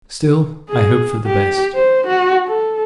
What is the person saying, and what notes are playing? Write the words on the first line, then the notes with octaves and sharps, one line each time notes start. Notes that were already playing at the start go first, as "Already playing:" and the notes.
Still I hope for the best.
G#4
G4
C5
F#4
A4